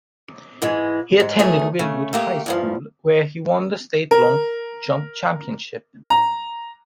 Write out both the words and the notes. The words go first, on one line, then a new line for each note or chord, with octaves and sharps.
He attended Wildwood High School, where he won the state long jump championship.
G#2 E3 G#3
G#2
E2 F#3 A3 G#4
C#3 A3
A3 A#3 G4
E2 G2 F3
A#4
A#5